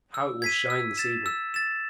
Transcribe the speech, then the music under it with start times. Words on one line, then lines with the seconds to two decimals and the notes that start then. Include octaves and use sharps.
"How it will shine this evening!"
0.14 E6
0.42 G#6 B6 D#7
0.70 E6
0.98 A6 E7
1.26 E6
1.54 A6 E7